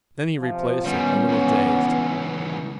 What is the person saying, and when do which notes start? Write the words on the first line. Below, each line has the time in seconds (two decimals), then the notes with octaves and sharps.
Then he replaced it, a little dazed.
0.40 C3 F3
0.84 D#3 G3 B3 C#4
1.27 C#2 E3